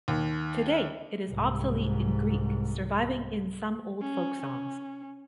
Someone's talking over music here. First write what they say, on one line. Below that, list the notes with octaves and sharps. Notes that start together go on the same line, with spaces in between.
Today it is obsolete in Greek, surviving in some old folk songs.
D#2
C2 G#2
C#4
C#4